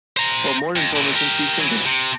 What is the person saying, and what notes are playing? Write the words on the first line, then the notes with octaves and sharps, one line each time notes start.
For more information, see single.
C5 A#5
F2
A#2 E3
G4 A#4
E3 F#3
C3